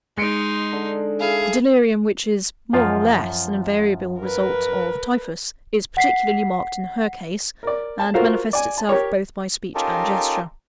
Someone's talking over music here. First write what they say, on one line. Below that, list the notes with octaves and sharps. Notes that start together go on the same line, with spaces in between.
The delirium which is, more or less, an invariable result of Typhus, is particularly marked in her case, and manifests itself both by speech and gesture.
G#3 D#4 C6 C#7 D7
D3
E4 G#4 F5 G#5
F#2 F3 F4
A#4 B4
F#5 B6 C7
A#4 D5
A5
F4 F#4 A4 A#4 C5 F5
D5 G#5
A5
G4 A#4 C#5
C#4 D#4 F4 G4 A4 A#4